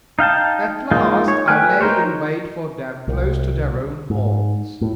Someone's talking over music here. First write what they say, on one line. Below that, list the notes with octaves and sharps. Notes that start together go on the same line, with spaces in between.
At last I lay in wait for them close to their own haunts.
D#4 F5 G5 A5
G#3 A#3 D#4 F4
C#5
A3 B4 G5 G#5 F6
D#4 A#4 C5 C#5
C2
G#2
A2